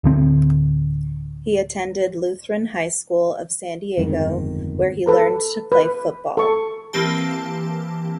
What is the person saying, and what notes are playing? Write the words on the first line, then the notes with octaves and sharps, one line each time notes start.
He attended Lutheran High School of San Diego where he learned to play football.
D1 D3 C4
G1 F2 G#2 D#3
A4 B4 A#5
B4
A4 C#6
E3 A#3 C4 G4 A5